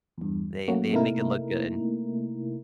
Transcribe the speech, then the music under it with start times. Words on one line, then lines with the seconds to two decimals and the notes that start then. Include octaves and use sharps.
They they make it look good.
0.18 E2 G2
0.68 F#3 A3 A#3 C#4 F#4
0.93 C3 A3 A#3 D#4 E4 A#4